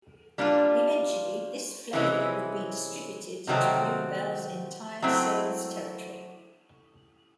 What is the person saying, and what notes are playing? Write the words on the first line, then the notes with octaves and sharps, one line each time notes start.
Eventually, this flavor would be distributed to Blue Bell's entire sales territory.
G3 A#3 D4 F4
C3 E3 G#3 C#4 E4
C3 D#3 F#3 A3 C4
F#3 A3 C4 E4